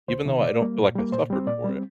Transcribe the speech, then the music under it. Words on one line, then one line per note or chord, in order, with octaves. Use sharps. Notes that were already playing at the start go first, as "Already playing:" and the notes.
even though I don't feel like I suffered for it.
D2 C5
C3 D#3
A#2 D5
G3 A#3
A#2
G3 A#3
A#2 C5
G3 C4
A#2 D5
G3 C4